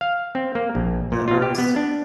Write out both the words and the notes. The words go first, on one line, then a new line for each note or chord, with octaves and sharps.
the Earth's
F5
C4
A#3
A#1
A#2
F4
G4
B3
D4